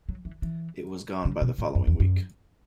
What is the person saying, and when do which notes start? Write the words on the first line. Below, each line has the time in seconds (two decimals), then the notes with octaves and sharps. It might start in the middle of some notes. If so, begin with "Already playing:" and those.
It was gone by the following week.
0.09 F#3
0.25 E3
0.42 E3
1.25 C#3
1.42 B2
1.58 A2
1.75 F#2
1.87 E2
2.00 F#2